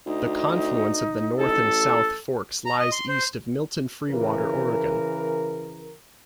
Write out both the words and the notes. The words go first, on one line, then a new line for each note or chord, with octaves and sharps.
The confluence of the North and South Forks lies east of Milton-Freewater, Oregon.
D2 D#4
A1 A4
A#5
D#5
C6
C5
C#3 E3 A#4